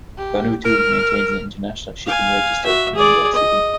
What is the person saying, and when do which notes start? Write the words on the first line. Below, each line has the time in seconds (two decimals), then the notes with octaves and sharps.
Vanuatu maintains an international shipping register in New York City.
0.18 G4
0.65 A#4 F6
2.06 F5 G#5
2.65 F#4 E5
2.95 G#4 D5
3.34 D#5